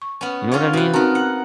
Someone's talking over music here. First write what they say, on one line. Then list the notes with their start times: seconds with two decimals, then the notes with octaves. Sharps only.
You know what I mean?
0.02 C#6
0.21 B3 C#4
0.51 C#4 F4 C#5
0.73 C3 F#4 B4
0.93 B3 C4 D#4 F#4 A#4
1.15 F#5